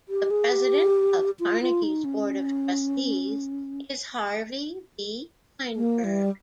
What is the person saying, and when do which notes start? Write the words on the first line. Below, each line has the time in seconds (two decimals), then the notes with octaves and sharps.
The President of Carnegie's Board of Trustees is Harvey V. Fineberg.
0.09 G4
0.31 G#4
0.52 G4
1.40 F4
1.61 F4
1.83 D#4
2.04 C#4
5.76 A#3
6.04 G3